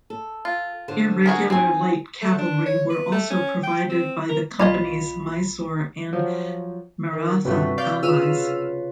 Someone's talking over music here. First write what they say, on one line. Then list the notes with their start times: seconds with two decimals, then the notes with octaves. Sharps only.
Irregular light cavalry were also provided by the Company's Mysore and Maratha allies.
0.10 A4
0.45 F4
0.88 D3 C5
1.26 F#4 G#4 A#4
1.50 C4 D#4 G#5
2.22 A3
2.38 D4
2.66 C#5
2.90 B4
3.12 A3
3.30 C#4
3.63 G5
3.89 C4
4.29 A#4
4.60 B1 F4 D5 D#5 G#5 B5
6.13 F3 F#3
7.13 D#3
7.45 C#2 G2 C3 A3 F#4 B4
7.78 D5 F5 G6
8.03 C#3 F4 B4 E6 F6 D#7